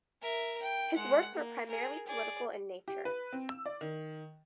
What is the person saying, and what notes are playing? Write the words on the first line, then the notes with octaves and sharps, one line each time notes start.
His works were primarily political in nature.
A#4 E5
G5
G#3 F#5
A#3
G#4 A#4
G#4 D5
G4
B4
C4
E6
D5
D#3